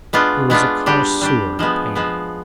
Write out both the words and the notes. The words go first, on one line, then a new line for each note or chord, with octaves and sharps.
He was a connoisseur of painting.
G#3 B3 D4 F4
G#3 B3 D4 F4
G3 D4 G4
G3 D4 G4
F3 G#3 B3
F3 G#3 B3